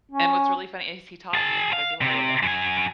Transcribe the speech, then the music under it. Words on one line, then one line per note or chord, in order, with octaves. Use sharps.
and what's really funny is he taught me how to do all of it.
C#4
G#4 A5
F5
C3
F#2 G#5